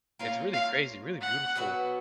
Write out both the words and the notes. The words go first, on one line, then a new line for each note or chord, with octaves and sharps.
It's really crazy, really beautiful,
A#3 C#4 F4 F5
F5
F#5
B2 F#3 B3 F#4